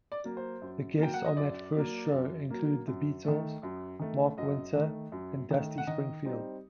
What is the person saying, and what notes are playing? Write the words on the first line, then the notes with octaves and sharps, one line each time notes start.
The guests on that first show included The Beatles, Mark Wynter and Dusty Springfield.
D5
F#3 A#3
C5
F#2
F#3 A#3 G5
F#5
D#5
F#2 D5
F#3 A#3
F#2
F#3 A#3
F#2
D#3 A3
F#2
D#3 A3
F#2 D#5
D#3 A3
F#2
D#3 A3
F#5
D#3 D#5
G3 C4 D#4